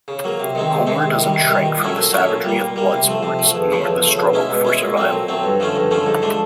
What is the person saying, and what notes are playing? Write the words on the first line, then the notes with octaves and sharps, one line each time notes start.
Homer doesn't shrink from the savagery of blood sports nor the struggle for survival.
C#3
F#3 A#3
C3
D#3 G#3 C4
C3
D#3 G#3 C4
C3
D#3 G3
C3
D#3 G3
A#2
F#3 A3 C#4 E4
A#2
F#3 A3 C#4 E4
A#2
G3 A#3
A#2
G3 A#3
C3
F3 A3
C3
F3 A3
E2
C#3 F3 A3
E2
C#3 F3 A3
B2
G#3 C#4 E4
B2
G#3 C#4 E4
A#2
F#3 A3 C4
A#2
F#3 A3 C4
G2
D3 F3 A3 C#4
G2
D3 F3 A3 C#4
G#2
F3 A3 D4